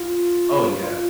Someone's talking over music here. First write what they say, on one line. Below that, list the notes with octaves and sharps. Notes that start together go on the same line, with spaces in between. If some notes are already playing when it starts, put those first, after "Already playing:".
Oh, yeah.
Already playing: F4
F4
F4